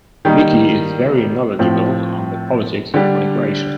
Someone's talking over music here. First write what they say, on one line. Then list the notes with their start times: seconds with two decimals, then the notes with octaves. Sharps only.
Vicky is very knowledgeable on the politics of migration.
0.25 D#3 G3 A#3 D#4
1.59 A2 F3 C4
2.94 D3 G3 D4